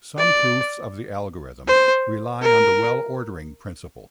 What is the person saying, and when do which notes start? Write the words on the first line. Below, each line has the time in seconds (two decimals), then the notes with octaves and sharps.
Some proofs of the algorithm rely on the Well-ordering principle.
0.18 D5
1.68 C5
2.42 A#4